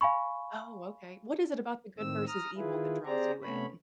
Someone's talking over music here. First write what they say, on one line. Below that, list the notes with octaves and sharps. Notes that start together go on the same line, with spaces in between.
Oh, okay. What is it about the good versus evil that draws you in?
F5 G#5 B5 C#6
A2 D#3 C4 E6
A#5 D#6 F6
D#3 E4 F4 G#4 B4
C4 G4 G#4 C5 D5 A#5
C3 A3 B3 C#4 C#5 B5